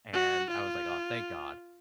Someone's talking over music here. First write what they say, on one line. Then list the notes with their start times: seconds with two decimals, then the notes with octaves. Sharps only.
and I was like, "Aw, thank god,"
0.13 F#4
0.50 F4